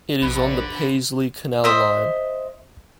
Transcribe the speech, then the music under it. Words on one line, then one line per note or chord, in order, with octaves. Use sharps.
It is on the Paisley Canal Line.
A#1 D3 B4
C5 D#5 E5